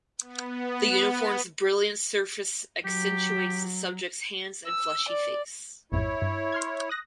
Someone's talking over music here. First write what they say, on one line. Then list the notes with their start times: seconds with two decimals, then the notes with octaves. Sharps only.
The uniform’s brilliant surface accentuates the subject’s hands and fleshy face.
0.21 B3
2.85 F#3 G4
4.67 E6
5.08 D5
5.92 A1 F2 G#2 E4 C#5
6.22 G2
6.52 C6 F6 G#6
6.89 D#6 F#6 A#6